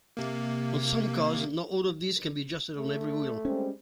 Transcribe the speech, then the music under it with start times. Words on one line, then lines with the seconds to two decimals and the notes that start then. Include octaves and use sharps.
On some cars, not all of these can be adjusted on every wheel.
0.17 C3 A#3
2.77 A3
3.45 G3 G#3 C4 C#4